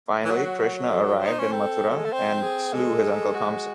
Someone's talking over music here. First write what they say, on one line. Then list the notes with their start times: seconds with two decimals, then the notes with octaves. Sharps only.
Finally, Krishna arrived in Mathura and slew his uncle Kamsa.
0.24 E3
0.31 F#3 F#4
0.92 A4
1.21 D#4 C5
1.39 C#4
1.52 C4 A4
1.89 F#3
1.96 G#3
2.05 A3
2.13 C4 C5
2.43 G#4
2.73 G#3 A4
3.35 F#4